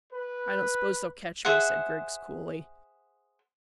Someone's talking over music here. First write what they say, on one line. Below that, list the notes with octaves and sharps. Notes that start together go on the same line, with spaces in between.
"I don't suppose they'll catch me," said Griggs coolly.
B4
G#4 C5 E5 F#5